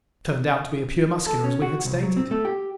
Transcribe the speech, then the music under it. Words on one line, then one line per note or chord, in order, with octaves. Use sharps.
He turned out to be a pure Muscular as we had stated.
A4
C#4
F#4
C2
F#3
C4
A3
G4